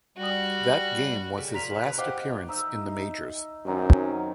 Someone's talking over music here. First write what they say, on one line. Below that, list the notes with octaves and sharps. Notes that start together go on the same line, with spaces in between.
That game was his last appearance in the majors.
G3 F#4
C#3 G4 A4
A#2 F3 A#5 B6 F7
B2 B4
G4 C5 D#5 F5 F#5 D6
D#4 D#5 E5
F#2 C3 D#3 D#4